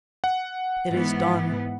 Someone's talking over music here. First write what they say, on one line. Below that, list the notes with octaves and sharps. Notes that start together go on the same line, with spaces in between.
It is done.
F#5
G#2 E3 B3